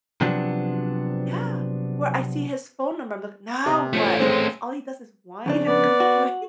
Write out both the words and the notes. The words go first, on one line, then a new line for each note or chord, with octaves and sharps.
yeah, where I see his phone number, I'm like, "Now what?" Because all he does is whine and complain.
C3 F3 F#3 B3 D4
C3
F3 A3 C#4
G#3 C4
F2 C#3 D4
B3 D5
F#4